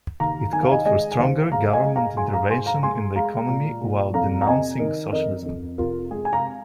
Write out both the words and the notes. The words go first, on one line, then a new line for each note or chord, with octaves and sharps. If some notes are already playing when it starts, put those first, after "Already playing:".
It called for stronger government intervention in the economy, while denouncing socialism.
D#2 F5 A#5
D#3 G#5
F5
D#5 G#5
G#3 D#5 G#5
G#5
D#2 C5 F5
G#3 F5 A#5
F5
D#5 G#5
G#3
F5 A#5
G#2 G#5 C6
F5 A#5
G#2 G#5 C6
F5 A#5
G#3 G#5 C6
G#3 F5 A#5
A#2
A#2
F2 F5 A#5
A#5
C3 D#5 G#5
D#3 A#4 D#5
F2 A#4 D#5
F2
C3 F4 A#4
G#3 G#4
G#5
F5 A#5